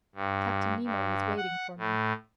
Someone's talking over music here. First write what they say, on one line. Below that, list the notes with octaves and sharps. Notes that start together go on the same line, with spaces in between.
Captain Nemo was waiting for me.
G2
G2
F#5
A2